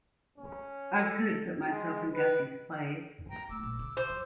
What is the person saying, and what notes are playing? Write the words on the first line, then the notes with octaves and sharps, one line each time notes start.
I could put myself in Gussie's place.
C#4
A4
G#3
B4
G5 A#5
A3 D6 E6
A#1
C#3
C5
F2